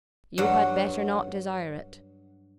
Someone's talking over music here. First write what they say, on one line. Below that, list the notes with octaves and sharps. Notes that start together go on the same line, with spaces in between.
"You had better not desire it."
G2 F#3 F#5